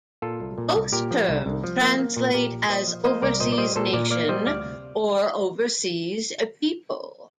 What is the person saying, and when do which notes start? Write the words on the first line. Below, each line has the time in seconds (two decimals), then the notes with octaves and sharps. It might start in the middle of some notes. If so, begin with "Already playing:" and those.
Both terms translate as "overseas nation" or "overseas people".
0.22 A#2 F4 A4
0.40 C2
0.58 A#2
0.75 C2
0.92 A#2 G4 A#4
1.11 F3
1.28 C2
1.46 C2
1.64 F3
1.81 A#3
1.99 A#3
2.16 A#2
2.34 A#2 G4 A#4
2.52 A#1
2.69 A#2 C5 D#5
2.87 F3
3.05 A#3 C5 D#5
3.22 C2 A#4 D5
3.40 A#2 C5 D#5
3.52 D5
3.58 G3 C5 D#5
3.76 A#2 A4 C5
3.93 A#2 A#4 D5
4.11 A#3 D5 F5
4.29 G3 C5 D#5
4.46 D2 D5 F5
4.64 C3